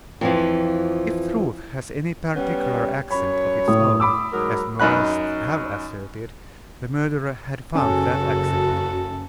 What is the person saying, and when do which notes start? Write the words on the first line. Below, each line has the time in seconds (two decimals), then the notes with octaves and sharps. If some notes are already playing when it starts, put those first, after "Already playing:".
If truth has any particular accent of its own, as moralists have asserted, the murderer had found that accent.
0.21 F2 E3 F3
2.36 G3 B3 C#4
3.11 F#2 C#5 B5
3.68 A2 D#6
4.00 B5 D6 E6
4.33 G#2 F#3 A#4
4.80 F#2 D#4 B5 F#6
7.75 F#1 C#3 C#4 F#4 A4